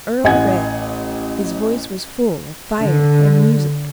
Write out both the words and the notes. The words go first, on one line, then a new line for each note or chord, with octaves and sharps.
Earle read; his voice was full of fire and music.
A1 D#5 F#5 G#5 G#6
D3